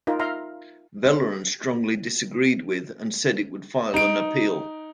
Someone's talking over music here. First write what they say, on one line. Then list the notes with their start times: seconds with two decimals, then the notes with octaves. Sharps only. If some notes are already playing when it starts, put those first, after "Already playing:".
Veleron strongly disagreed with and said it would file an appeal.
0.07 D#4 F4 A#4
0.19 E5 F5 A#5 C6
3.94 D#4 D7